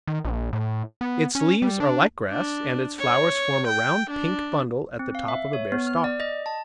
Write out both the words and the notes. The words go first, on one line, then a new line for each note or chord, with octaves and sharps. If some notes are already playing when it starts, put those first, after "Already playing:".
Its leaves are like grass, and its flowers form a round pink bundle at the top of a bare stalk.
D#3
A#1
A2
B3
C#4
G3
D4
D4
C#5
G5
D4
C4
F5
E5
C#5
B3
F6
D5
D#5
A5